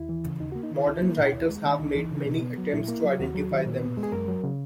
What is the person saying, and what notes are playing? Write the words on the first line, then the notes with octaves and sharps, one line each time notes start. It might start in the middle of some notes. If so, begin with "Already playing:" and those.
Modern writers have made many attempts to identify them.
Already playing: D#2 E4
E3
C#3
D#2 D#4
F#4
A#3
D#4
D#3 E4
C#2 E4
A#3
B2
D#2
G#3
D#3
C#2 D#4
E3
C#3
B2
B3
F#3
A#2 E4
A#3
F#3
D#2 F#4
F#3
D#3
A#2
B3
G#3
G#4
F#2 A#4
F#3
C#3